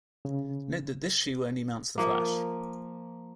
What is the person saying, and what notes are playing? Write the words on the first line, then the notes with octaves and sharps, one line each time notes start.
Note that this shoe only mounts the flash.
C#3
F3 A#3